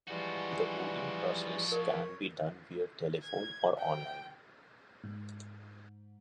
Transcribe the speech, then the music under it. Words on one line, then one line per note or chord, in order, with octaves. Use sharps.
The voting process can be done via telephone or online.
E3 F3 G3 G#3 F#4
A#4 C#5
G#6
G5
G#2